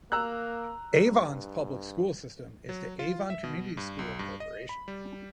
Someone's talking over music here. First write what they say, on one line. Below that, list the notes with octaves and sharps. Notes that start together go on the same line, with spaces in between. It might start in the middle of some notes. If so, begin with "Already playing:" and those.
Avon's public school system is the Avon Community School Corporation.
A#3 A#5 E6 F#6
G2
F#3
F4
E5
B2
G2
B1
G2
D#5
B5
G3